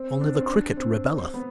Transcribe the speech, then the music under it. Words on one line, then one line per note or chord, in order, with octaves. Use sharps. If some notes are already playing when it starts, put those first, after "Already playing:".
Only the cricket rebelleth.
Already playing: C4
D4
C4
D4
C4
B3